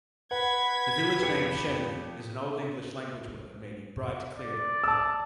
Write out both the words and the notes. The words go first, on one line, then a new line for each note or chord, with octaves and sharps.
The village name 'Shenley' is an Old English language word meaning 'bright clearing'.
B4 F#5 G#6 B6
F2 G4 C#7
D5
A5 E6